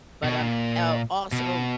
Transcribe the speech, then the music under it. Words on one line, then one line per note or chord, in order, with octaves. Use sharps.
But um, el also,
B2
A#2
B2